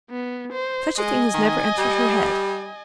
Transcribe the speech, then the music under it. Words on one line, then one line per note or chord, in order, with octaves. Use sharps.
Such a thing has never entered her head.'
B3
C5
G#3 D#5 G#5
D#3
G3